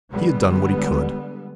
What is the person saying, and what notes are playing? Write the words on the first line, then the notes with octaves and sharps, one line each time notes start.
He had done what He could.
D3 G3 G#3 B3